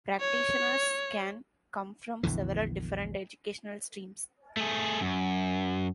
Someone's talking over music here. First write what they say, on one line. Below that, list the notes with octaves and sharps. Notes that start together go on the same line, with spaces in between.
Practitioners can come from several different educational streams.
C#5
A#1 E2 D3 E3
A3 G#4
F#2